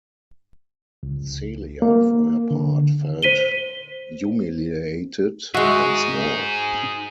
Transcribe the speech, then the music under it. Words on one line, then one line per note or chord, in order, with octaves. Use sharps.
Celia, for her part, felt humiliated and small.
C#2
A#3
D3
C5 B6 D#7 G7
G#3 D#4 F#4 G#4 E5